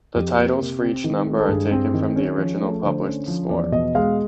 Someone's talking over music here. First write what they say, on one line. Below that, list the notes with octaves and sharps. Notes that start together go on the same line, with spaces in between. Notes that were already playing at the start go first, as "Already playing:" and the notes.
The titles for each number are taken from the original published score.
F2 G4
A#3
C3
C4
D#3
G#3
A4
G2 G#4
C4
D#3
C#4
F3
A3
D3 C5
C#4
F3
E2 D5
B2 D#5
G#3 F5